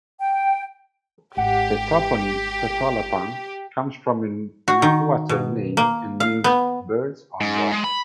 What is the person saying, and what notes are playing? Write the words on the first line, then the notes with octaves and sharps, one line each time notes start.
The toponym "Totolapan "comes from a Nahuatl name and means "birds on water".
G5
G#1 G4 F#5
F#4
D#3
B2
A#3
F5
B3
G#2
G#3
B5